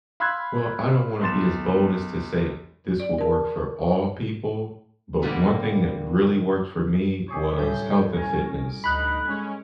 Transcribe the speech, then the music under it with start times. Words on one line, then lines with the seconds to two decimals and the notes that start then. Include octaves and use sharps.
Well, I don't wanna be as bold as to say this will work for all people, but one thing that really worked for me was health and fitness.
0.20 F5 B5 C6 E6 F#6 G#6
1.21 B1 C6 A6 E7
3.00 D5
3.18 A#4 A5
5.22 A#2 D3 G3 A#3 B3
7.28 G4 G#4 C#5
7.57 F#2 A2 G3 A3 G6
8.14 C#4 A#4 G#5 A#5
8.84 D2 D#4 B5 F#6
9.25 G#3 C#4 G#4